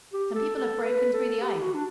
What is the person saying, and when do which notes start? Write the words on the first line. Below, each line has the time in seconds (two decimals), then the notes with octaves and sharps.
Some people have broken through the ice.
0.13 G4
0.35 A4
0.56 A4
0.85 B4
1.13 A4
1.41 G4
1.63 F#4
1.74 D4